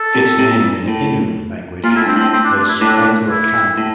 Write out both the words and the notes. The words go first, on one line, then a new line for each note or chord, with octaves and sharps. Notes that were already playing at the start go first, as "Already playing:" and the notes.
Its name in the Innu language is Piekuakami.
Already playing: A4
C3
C3
A#2
G2
A2
A#2 F4
A2 E4
G2 C4
A2 C4
C4
D4
D4
E4
A2 D4
D4
E4
A2